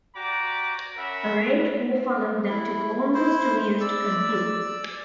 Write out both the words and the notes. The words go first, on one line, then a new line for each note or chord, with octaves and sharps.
A rate war followed that took almost two years to conclude.
F#4 G4 D5 A#5 D6
C#4 A#4 E5 F#5 B5
E4
E4 C5
D5 E6